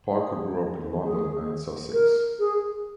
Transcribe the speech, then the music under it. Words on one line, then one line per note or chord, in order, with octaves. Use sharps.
Parker grew up in London and Sussex.
G#4
G#4
A#4
G#4